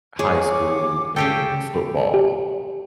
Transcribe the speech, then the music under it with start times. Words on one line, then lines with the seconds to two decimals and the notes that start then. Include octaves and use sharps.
high school and football,
0.19 G#4 C#5 D6
1.16 C#3 G4 A4 G5
2.14 G4